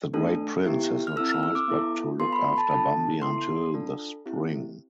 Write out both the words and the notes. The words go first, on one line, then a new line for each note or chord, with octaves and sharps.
The Great Prince has no choice but to look after Bambi until the spring.
A3 D4 A4
B3 E4 G4
F6
C4 E4 A4 E6
F6
E6
D6
B3 E4 A4
B3 F4 A4 C6
B5
B5
A5
D4 F4 A4 A5
B3 E4 A4 C6
D4 F4 A4
C4 E4 G4